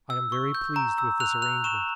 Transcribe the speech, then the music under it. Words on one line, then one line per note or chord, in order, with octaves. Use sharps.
I am very pleased with this arrangement.
E6
C#6
G6
A#5
E6
F#6 F7
F#6 F7
C#6 E7